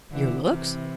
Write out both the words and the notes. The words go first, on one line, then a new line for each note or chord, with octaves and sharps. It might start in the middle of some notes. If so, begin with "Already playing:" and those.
"Your looks?"
D3 E3
C3 E3